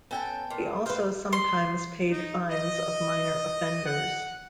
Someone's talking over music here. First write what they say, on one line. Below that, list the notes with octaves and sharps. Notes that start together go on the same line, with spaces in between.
He also sometimes paid fines of minor offenders.
B3 C#4 A4 F#5 G5 A5
A#2
B4 C5 F5 G5
C6
D#4
D#5
F#5